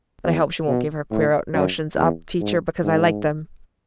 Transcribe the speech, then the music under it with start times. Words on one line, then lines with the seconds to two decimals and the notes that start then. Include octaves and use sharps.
But I hope she won't give her queer notions up, teacher, because I like them.
0.25 E2
0.68 B2
1.11 A2
1.54 F#2
1.97 E2
2.41 G#2
2.83 G#2